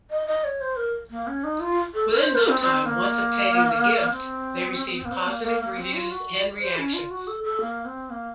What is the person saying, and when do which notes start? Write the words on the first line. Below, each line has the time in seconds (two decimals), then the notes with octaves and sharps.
Within no time, once obtaining The Gift, they received positive reviews and reactions.
0.10 D#5
0.27 D#5
0.44 C#5
0.61 C5
0.76 A#4
1.10 A#3
1.27 C#4
1.44 D#4
1.60 F4
1.94 A4
2.11 A#4
2.18 C#5
2.22 C5
2.35 A#4
2.48 C4
2.60 C4
2.86 A#3
4.11 C4
5.05 A#3
5.11 C4
5.27 A#3
5.43 A#3
5.61 A#3
5.78 C4
5.94 F4
6.11 F#4
6.60 C5
6.77 C#4
6.94 F4
7.10 F#4
7.27 A4
7.44 A4
7.61 A#3
7.85 C4
8.10 A#3